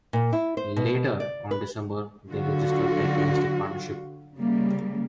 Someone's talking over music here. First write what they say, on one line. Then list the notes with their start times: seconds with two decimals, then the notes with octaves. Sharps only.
Later on December they registered their domestic partnership.
0.13 A#2
0.33 E4
0.57 C5
0.76 B2
1.20 D5
1.51 B4
2.30 D3 F#3 F4 F#4
4.37 C#3 G3 A#3